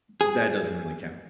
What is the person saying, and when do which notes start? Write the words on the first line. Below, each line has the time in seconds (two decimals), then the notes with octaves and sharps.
that doesn't really count.
0.21 G#4